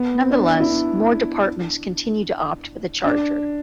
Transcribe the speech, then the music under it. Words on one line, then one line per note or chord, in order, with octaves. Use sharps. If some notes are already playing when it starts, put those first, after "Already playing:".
Nonetheless, more departments continue to opt for the Charger.
Already playing: B3
D4
E4
D4
D4